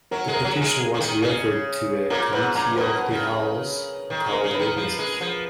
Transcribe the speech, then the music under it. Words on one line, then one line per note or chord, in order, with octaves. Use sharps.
The petition was referred to a committee of the House, who called witnesses.
F#3 A#4
G#3
A#4
F#3
G#4
G#3
C#3
D#3
C#3
A#2 A#4
G#2 B4
A#2 A#5
B2 B4
A#4
B4
C#3
D#3
C#3
A#4
C#3
B4
D#3
F3
G#3
F3